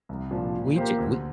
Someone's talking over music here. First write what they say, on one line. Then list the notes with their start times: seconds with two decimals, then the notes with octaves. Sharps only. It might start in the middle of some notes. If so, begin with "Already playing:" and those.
We ju we
0.09 C2
0.31 A#2 F3 D4
0.53 A#2
0.76 A#3 G4 C5
0.99 D2